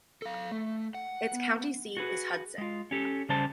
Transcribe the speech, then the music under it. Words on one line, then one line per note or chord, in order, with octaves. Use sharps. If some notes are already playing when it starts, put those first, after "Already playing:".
Its county seat is Hudson.
A4 F5
A3
F#5
B3
F#4 G#4 B4
G#3 F4
C#4 G4 A4
C#3 G3 C#4 C5 A5